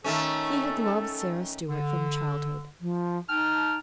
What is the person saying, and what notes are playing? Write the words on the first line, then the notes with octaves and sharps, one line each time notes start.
He had loved Sara Stuart from childhood.
D#3 A3 C#4 A4
D3
F3
D#4 G5 A5 F6